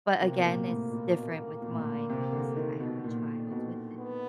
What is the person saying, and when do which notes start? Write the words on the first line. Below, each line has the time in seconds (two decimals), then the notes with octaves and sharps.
but, again, it's different with mine because I have a child with him.
0.21 C3 A#3
0.36 B2
0.44 A#2
0.68 A2
0.92 A#2
1.14 B2
1.62 A#2
1.70 A2
1.79 A#2
2.10 C3
2.32 D3
2.56 D#3
2.80 B2
3.04 A#2
3.51 B2
3.98 B3